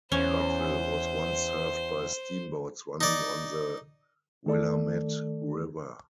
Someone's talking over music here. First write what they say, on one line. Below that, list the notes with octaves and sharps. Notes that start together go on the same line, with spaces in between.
Butteville was once served by steamboats running on the Willamette River.
E2 C#4 C5
D#4 D5
D#3 A3 A4 D5